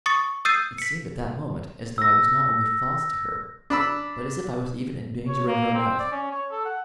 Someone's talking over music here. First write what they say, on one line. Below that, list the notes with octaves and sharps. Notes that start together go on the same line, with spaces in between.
It seemed at that moment as though I was not only false to her, but as if I was even endangering her life.
C#6 D#6 A6 C#7
D#6 E6 G6 A6 C7 D#7
B6 C#7
E6 A#6
D4 B5 E6
C#5
A#3
C4
D5
C#4
C#5
A4
F#5